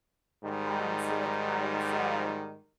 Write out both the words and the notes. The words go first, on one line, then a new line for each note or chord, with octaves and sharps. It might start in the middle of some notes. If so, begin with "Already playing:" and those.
Um, so like, I would say
G#2 D#3 G3